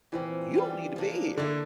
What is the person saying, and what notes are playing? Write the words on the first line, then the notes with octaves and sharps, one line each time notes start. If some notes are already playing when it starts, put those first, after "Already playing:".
you don't need to be here.
A#2 E3 F3 C4
G3 C4 F4
F3 A#3 D4
D3 A#3 E4 A4 D5